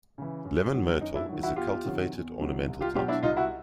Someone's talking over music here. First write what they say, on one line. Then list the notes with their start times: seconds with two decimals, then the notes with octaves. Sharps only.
Lemon myrtle is a cultivated ornamental plant.
0.18 C#3 E3
0.45 F#2
0.74 D#3 F#3
1.01 F#2 D#4
1.14 D4 E4
1.29 D#3 F#3
1.43 E4 F#4
1.56 E2 F4 G4
1.85 C3 D#3 F#3
2.12 E2
2.40 C3 D#3 F#3
2.68 C2
2.81 F4 G4
2.95 B2 F#3 F4 G4
3.08 D4 E4
3.23 C2 D#4 F4
3.36 E4 F#4